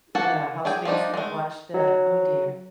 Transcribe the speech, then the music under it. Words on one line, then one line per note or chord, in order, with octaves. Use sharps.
yeah, housemates that watched the oh dear,
A#3 F#4 F#5 A5
D4 G#4 G5
F3 G3 D4 D#4
G#3 A3
F#3